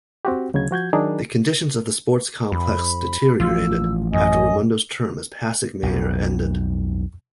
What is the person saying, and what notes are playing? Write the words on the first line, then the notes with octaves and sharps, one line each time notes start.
The conditions of the sports complex deteriorated after Raymundo's term as Pasig mayor ended.
C4 F#4 G4
D2 C#3 F#3 G#6
F3 F#4 G6 G#6
D#3 F#3 D4 D#4 G#4 A#4
F2 B5
A1 F3 F4 E6
F#2 D#5 G#5
B1 F2